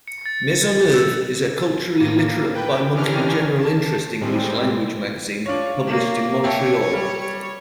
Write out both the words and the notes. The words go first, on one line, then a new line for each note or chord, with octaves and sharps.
"Maisonneuve" is a culturally literate bimonthly general-interest English-language magazine published in Montreal.
C#7
A6
E6
A2 A#3
B4 G5
D#3 E3 C#4 D4 G4 F6
A5
A2 G3 G#3 C4
D4 F4 C#5
A#3
C#5 E5 G5 A5
G3